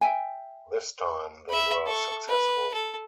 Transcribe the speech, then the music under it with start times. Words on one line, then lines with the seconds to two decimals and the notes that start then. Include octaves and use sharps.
This time, they were successful.
0.01 E5 G5 G#5
1.49 E5 B5
1.86 A4 C#6
2.28 B4
2.74 A4